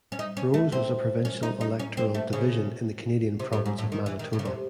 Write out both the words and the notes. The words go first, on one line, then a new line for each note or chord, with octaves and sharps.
Rose was a provincial electoral division in the Canadian province of Manitoba.
C#4
D#4
C#4
A3
C4
C#4
D#4
D#4
C#4
C4
A3
C#3
C3
A2
G#2
A2
D#3
E3
D#3
A2
C#3
C3